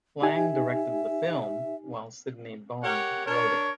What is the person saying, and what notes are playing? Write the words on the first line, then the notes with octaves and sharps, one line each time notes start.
Lang directed the film while Sydney Boehm wrote it.
D#4 G4 E5 G#5
G4 A#4 C#5 F#5
D4 A#4 C#5